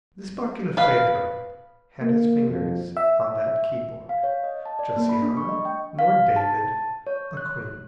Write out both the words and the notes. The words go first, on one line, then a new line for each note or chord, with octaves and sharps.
This Barkilphedro had his fingers on that keyboard--Josiana, Lord David, a queen.
B4 F5
A#3
F2
E5
F5
C#5
D#5
A5
D5
A#3
B5
D4
C#6
D#5
G5
F5
A5
C#5
F#6